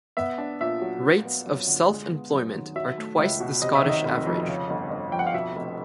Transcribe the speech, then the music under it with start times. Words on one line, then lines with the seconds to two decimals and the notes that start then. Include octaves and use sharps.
Rates of self-employment are twice the Scottish average.
0.17 B3 E5
0.38 D4
0.60 A#2 E5
0.81 F#3
1.03 F#3
1.25 B3
1.46 F#2
1.67 D3
1.89 G#3
2.10 B3
2.33 F#2
2.54 D#3
2.76 F#3 E5
2.98 A3
3.18 C#2 E5
3.40 B2
3.62 C3 D#5
3.75 E5
3.84 D#3
3.89 D#5
4.05 F1
4.26 F2
4.48 C#3
4.70 G1
4.90 G1
5.12 F2 G5
5.19 F#5
5.27 F5
5.34 B2 E5
5.56 F1